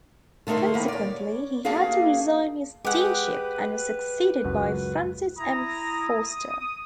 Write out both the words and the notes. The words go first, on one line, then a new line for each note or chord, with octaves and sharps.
Consequently, he had to resign his deanship and was succeeded by Francis M. Forster.
D3 A3 D#4 A#4 C5
D#3 A#3 B3
C#5 D5
A#3 D4 F#4 G#4 F5
G#3 G4 G#4 B4 F#5
C#2 F#2 F#4
E4 A#5 D#6
D#6